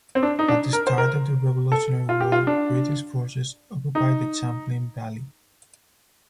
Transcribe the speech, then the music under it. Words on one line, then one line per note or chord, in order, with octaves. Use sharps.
At the start of the Revolutionary War, British forces occupied the Champlain Valley.
C4
D4
D#4
D4
A#4
C5
A#4
A4
F4
G4
F4
D4
D#4